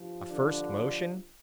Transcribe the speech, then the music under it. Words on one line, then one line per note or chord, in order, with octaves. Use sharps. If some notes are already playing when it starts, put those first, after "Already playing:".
A first motion?
Already playing: G2 F3
D3 D4